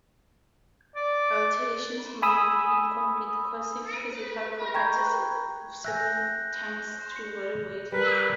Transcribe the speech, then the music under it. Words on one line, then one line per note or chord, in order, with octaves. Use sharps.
Alterations may be incomplete, causing physical properties of serpentines to vary widely.
D5
G#5 B5 D#6 E6
G5 A#5 B5 C#6 G6 G#6
E5 G5 G#5 F#6 G6 A#6
C#7
G3 A#4 B4